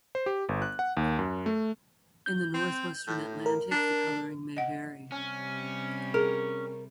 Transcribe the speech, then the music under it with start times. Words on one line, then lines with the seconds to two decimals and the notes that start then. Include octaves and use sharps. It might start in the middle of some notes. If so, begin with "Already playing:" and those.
In the northwestern Atlantic the colouring may vary.
0.15 C5
0.26 G4
0.49 G1
0.62 F#6
0.79 F#5
0.97 D#2
1.19 F#2
1.46 A3
2.26 G6
2.54 C4
3.07 A2
3.46 A#4
3.71 D4
4.57 D#5 F#5
5.12 C3 G3 C#4
6.14 G#4 A#4